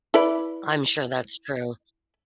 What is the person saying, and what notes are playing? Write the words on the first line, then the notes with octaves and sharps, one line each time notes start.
I'm sure that's true.
E4 B4 D5